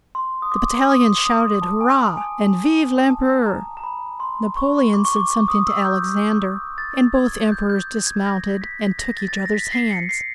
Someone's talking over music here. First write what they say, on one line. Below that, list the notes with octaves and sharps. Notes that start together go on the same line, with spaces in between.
The battalions shouted "Hurrah!" and "Vive l'Empereur!" Napoleon said something to Alexander, and both Emperors dismounted and took each other's hands.
C6
D#6
D6
D#6
D#6
A5
G#5
A5
G#5
A5
A#5
A#5
B5
C6
C#6
D6
C#6
D6
C#6
D#6
E6
G6
A6
G#6
G6
G6
G#6
A#6
B6
A#6
A6
A6
A#6
A#6
B6
C7
C#7
C7